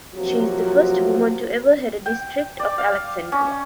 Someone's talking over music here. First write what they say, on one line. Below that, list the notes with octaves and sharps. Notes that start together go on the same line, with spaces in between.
She is the first woman to ever head a district of Alexandria.
C3 F3 F#3 A#3 F4 F#4
G5
D5
F5
C#4